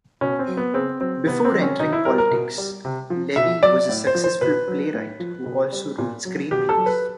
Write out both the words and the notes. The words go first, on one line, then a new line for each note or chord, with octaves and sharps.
Before entering politics, Levy was a successful playwright who also wrote screenplays.
B2 C#4
C4
F#3
B3
C#3 C4
F#3 C4
C3 B3
C4
D#3 F#3
C#4
B2 D#4
E4
G3 A#4
A#4
B2
G3
C3
F3
B2 E5
F#3 D5
A2
C5
F3
C5
B2 B4
F#3
A2
F3
B2
G3
A#2
F#3
B2 G4
A4
F#3
B4